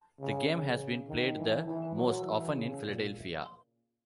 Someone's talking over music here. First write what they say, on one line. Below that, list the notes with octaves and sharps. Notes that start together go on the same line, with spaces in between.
The game has been played the most often in Philadelphia.
C#3
C#3
D#3
E3
E3
F#3
E3
C#3
A#2